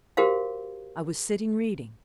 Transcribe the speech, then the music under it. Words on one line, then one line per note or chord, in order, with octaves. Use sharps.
I was sitting reading.
F#4 G4 A#4 C5 F5